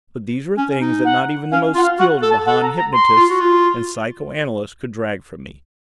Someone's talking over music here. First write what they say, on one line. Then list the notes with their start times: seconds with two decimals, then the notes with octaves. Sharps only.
But these were things that not even the most skilled of the Han hypnotists and psychoanalysts could drag from me.
0.57 C#4
0.81 D#4
1.05 F#5
1.51 C#4 F5
1.75 F4
1.77 F#5
1.83 F5
1.99 F#4 F#5
2.22 A4
2.30 A5
2.46 A4 F#5
2.62 A#5
2.77 A#5
2.93 C6
3.16 F4
3.29 F#4
3.40 F4